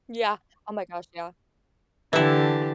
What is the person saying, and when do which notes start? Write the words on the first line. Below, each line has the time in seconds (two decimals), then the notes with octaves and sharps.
Yeah. Oh my gosh, yeah.
2.13 D3 E3 E4 G4 A5